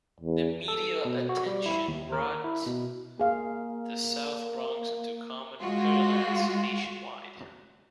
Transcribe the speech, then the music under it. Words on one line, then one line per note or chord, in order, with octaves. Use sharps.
The media attention brought the South Bronx into common parlance nationwide.
E2
A4
B2
F#4
G3
E4
D#2
A#4
E4
B2
A#3 G#4 F5
G#3 F4 F#4